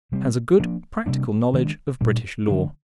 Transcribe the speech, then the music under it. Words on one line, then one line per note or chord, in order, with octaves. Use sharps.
Has a good practical knowledge of British law.
C3 G3 C4
F3 A#3 D4
C3 G3 A#3 D4
D#3 G#3 D4
A#2 G3 D4
D3 F3 G#3 D4